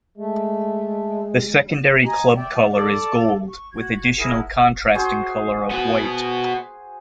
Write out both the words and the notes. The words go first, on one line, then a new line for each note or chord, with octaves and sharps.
The secondary club colour is Gold, with additional contrasting colour of white.
G#3 A3
D#5 G#5 A#5
D5 E5 G5
A4 D5
C#6
F#4 G#6
E4 G#4 A#4 F#5
F#4 G#4 C5
B3 F#4 G#5